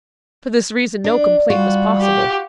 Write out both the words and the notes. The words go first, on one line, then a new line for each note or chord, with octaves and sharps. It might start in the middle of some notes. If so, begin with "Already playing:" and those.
For this reason no complaint was possible.
D4
G3 F4 F#4
G4